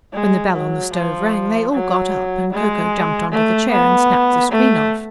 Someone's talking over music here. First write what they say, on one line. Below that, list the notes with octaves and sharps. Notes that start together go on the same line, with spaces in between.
When the bell on the stove rang, they all got up, and Ko-Ko jumped onto the chair and snapped the screen off.
G#3
F#3
F3
F#3
G#3
A3
B3
A3